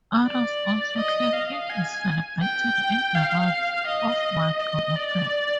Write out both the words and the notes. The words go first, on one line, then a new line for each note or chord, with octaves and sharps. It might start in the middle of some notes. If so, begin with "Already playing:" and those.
Others also claim it is celebrated in the months of March or April.
D5
D#5
F5
G#5
G5
F5
D#5
D#5
D5